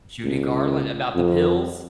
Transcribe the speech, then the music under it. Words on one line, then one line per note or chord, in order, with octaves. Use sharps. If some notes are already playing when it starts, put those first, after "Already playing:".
Judy Garland, about the pills?
C#2
F2